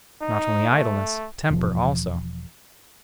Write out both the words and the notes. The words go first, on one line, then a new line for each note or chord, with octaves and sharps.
Not only idleness, temper also.
D#4
A3
E1 F3